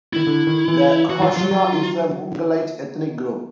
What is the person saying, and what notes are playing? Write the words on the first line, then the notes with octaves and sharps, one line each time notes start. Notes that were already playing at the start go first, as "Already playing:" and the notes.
The Khasia is a Mongolite ethnic group.
D#3 E4
D3
D#3
E3
E3 F#4
E3 F4
F3
F#3 F4
F#3